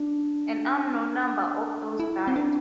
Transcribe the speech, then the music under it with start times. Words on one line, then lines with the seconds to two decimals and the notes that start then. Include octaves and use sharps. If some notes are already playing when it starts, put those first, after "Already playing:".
An unknown number of those died.
Already playing: D4
2.00 E4
2.27 C4
2.36 D4